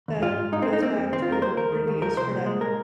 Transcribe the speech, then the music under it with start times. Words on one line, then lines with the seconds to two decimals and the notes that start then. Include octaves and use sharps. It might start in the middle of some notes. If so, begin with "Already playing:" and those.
that goes back to reviews for that
0.08 D#2
0.22 G#2 F4
0.38 G#2
0.52 G#3 D#4
0.62 G#3 C4
0.73 D#4
0.82 A#3 C4
0.97 F2
1.12 D#3 C4
1.22 F4
1.28 F2 A#4
1.42 A#3 C5
1.57 D#2 A#4
1.72 D#3
1.87 D#2
2.02 F3 A#4
2.17 C2 C5
2.31 A#2
2.46 G#3
2.61 G#3 A#4